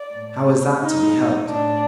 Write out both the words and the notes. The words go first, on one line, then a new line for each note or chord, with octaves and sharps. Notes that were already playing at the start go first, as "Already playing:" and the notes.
How is that to be helped?
Already playing: D5
A2
D#4
A2 D4